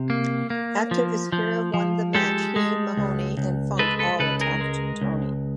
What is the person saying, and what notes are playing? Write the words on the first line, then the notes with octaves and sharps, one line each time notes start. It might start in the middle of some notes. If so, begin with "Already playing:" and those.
After Viscera won the match, he, Mahoney, and Funk all attacked Tony.
Already playing: C3
A#3
A#3
F3
F3
F3
G#3 G4 A4
G#3
C#2
C#2
G#3 A4 B4
A4 B4
C#2 A4 B4
G#4 A#4
G#3
C#2